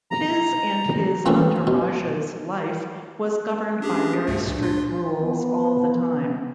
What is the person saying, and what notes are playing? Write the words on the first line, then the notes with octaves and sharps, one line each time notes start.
His and his entourage's life was governed by very strict rules all the time.
A#5
E3 A3 A#3 C4 C#4 F4
B2
C#4 D4 G4 G#4
C#2 G2 A3
A#2 D4
F4
B3